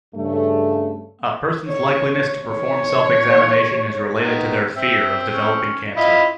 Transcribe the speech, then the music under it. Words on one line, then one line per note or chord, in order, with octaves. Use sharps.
A person's likeliness to perform self-examination is related to their fear of developing cancer.
G2 C#3 A3
C#5
C#5
D#3 B3
C4 E5
C#4
E4 F4 D#5 B5